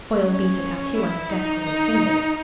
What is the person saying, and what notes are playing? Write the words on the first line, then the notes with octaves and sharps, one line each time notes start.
Foyle beat a tattoo on his desk with his fingers.
C#4
E4
D#4
D#4